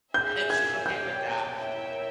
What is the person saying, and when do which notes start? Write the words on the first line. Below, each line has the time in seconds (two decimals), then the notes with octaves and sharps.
and she's okay with that,
0.14 G#4 E5 G#5 G6
0.50 G#6
0.85 G4 C#5 G5 G6
1.57 E4 A#4 C#5 E5 G5